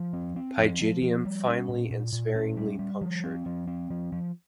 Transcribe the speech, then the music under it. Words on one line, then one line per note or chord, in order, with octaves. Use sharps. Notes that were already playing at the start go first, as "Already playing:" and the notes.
Pygidium finely and sparingly punctured.
Already playing: F3
C4
C4
F3
F3
F3
G3
C#4
A#2
A#2
A#2
C#4
G3
G3
F3
C4
F3
C4
F3
F3